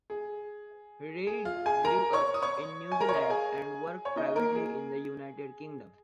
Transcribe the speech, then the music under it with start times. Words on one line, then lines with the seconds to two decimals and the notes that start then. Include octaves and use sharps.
Reid grew up in New Zealand and worked privately in the United Kingdom.
0.10 G#4
1.27 G#4
1.45 F4 F5
1.66 G#4 G#5
1.85 A#4 A#5
2.13 C#5 C#6
2.34 D#6
2.42 C#5 C#6
2.91 G#5
3.00 A#4 A#5
3.09 C#5
3.16 D#5
3.22 F5
3.30 G#4 G#5
4.05 C#5
4.16 D#4 D#5
4.36 A#3 A#4
4.55 G#4